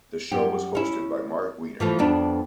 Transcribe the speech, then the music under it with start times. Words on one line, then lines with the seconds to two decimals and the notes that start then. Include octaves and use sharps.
The show was hosted by Marc Weiner.
0.32 F#2 G4
0.75 C#4 E4
1.80 E3 F3 A3
1.99 F2 B3 D4